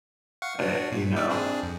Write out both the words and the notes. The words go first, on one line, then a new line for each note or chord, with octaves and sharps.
eh, you know.
F5 F#5 C#6
D4 F#4
A#2
D5 E5
C4 D4 G#4
F2